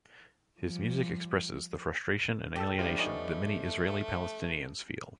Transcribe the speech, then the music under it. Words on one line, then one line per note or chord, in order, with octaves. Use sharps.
His music expresses the frustration and alienation that many Israeli-Palestinians feel.
F3 G3
G4 A4 A5 E6
F3 G3 A3 D4
B3 C#4 D#4